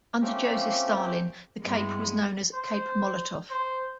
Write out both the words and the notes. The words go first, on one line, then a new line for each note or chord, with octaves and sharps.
Under Joseph Stalin the cape was known as Cape Molotov.
F3 A3 A#3 C4 C#4 G4
G2 G#3 B3 E4
C5
C5